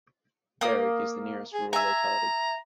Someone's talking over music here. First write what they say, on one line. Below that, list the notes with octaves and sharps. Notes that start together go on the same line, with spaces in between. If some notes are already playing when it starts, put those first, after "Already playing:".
Bereg is the nearest rural locality.
A#3 D#6
G#4
E5 G#5 A#5